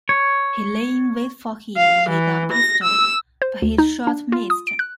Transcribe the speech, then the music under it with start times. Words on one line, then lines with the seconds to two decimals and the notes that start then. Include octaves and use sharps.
He lay in wait for him with a pistol, but his shot missed.
0.09 C#5
1.77 F5
2.10 E3
2.52 A#6
2.83 E6
3.42 C5
3.62 D2
3.78 D#4
4.07 D4
4.32 F4
4.50 D#6
4.67 D7
4.79 F#6